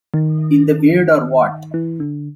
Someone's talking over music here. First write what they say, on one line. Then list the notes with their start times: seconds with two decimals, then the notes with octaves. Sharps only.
In the Weird or What?
0.14 D#3
1.74 E3
2.00 D3